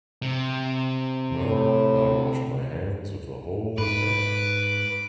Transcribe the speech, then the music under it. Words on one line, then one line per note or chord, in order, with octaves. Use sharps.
Well, I wash my hands of the whole affair!
C3
A2
G#2 B4 D6